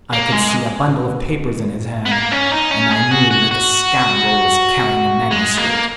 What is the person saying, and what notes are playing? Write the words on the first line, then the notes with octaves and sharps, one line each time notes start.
I could see a bundle of papers in his hand, and I knew that the scoundrel was carrying a manuscript.
A#3
G#3
B3
A#3
C#4
D#4
C#4
G#4
F#4
F#4
F#4
G#3
A#3